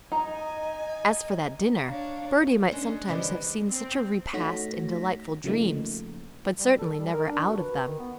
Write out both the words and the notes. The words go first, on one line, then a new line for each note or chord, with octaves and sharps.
As for that dinner--Bertie might sometimes have seen such a repast in delightful dreams, but certainly never out of them.
D#4 D#5 G#5 A#5
D4 C#5 F5
G#3 C#4 D4 G#4
B2 D3 E3 G3 G#3 C4
C4
A3 D#4 F#4 C#5 A#6 B6
C#3 F3 A3 A#3 D#4
G3
A4
G3
A#4
D4
F#4
B4
D#3
B3